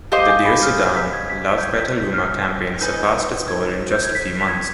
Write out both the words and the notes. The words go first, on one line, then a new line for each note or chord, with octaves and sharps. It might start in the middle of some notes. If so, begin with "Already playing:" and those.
The "Dear Sudan, Love Petaluma," campaign surpassed its goal in just a few months.
G4 C5 D#5 F5
G#5
B5
F6
G6
B6
G#6
B6
G6
G#6
B6
G6
F6
D#4 B4 D#5 G#5 G6
G#6
G6
G#6
B6
B6
G#6